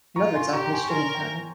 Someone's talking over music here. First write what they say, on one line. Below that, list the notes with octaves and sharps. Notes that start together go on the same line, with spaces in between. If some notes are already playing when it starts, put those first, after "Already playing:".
Another example is string interning.
F4 A#5 C#6
G#5 C6
G4 A#5 C#6
A#5
G#5 C6
C#6
A#4 G#5 C6
G5 A#5